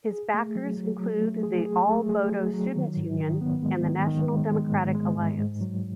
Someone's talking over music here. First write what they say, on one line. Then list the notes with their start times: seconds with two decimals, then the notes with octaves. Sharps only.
His backers include the All Bodo Students Union and the National Democratic Alliance.
0.12 G#4
0.34 A3
0.56 F#3
0.77 F#3
0.99 F#3
1.22 A3
1.43 G#4
1.66 G#4
1.87 A3
2.09 G#4
2.32 F#3
2.54 F#3
2.76 D#3
2.97 G#2
3.20 D#3
3.41 B3
3.63 G#3
3.85 D#3
4.07 D#3
4.29 G#3
4.51 G#3
4.72 G#2
4.95 G#3
5.17 G#2
5.38 G#2
5.61 F#3